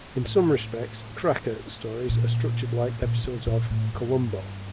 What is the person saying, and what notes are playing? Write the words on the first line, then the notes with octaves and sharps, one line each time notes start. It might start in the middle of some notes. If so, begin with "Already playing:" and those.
In some respects, "Cracker" stories are structured like episodes of "Columbo".
A2
A#2
A#2
C3
A#2
A2
G2